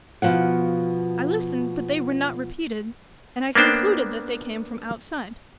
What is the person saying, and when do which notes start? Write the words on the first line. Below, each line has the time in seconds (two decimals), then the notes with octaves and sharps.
I listened, but they were not repeated, and I concluded that they came from outside.
0.22 B2 F3 F5 F#5
3.55 A#3 B3 D4 C5 G5